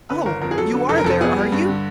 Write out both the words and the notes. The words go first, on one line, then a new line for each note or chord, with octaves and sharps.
Oh! you are there, are you?
D3 B4
G1 A#4
F2 A#4
G#4
F#3 A4
D3
F1 A4
A#4
F2 A4
B3 G#4
G3
G2
D3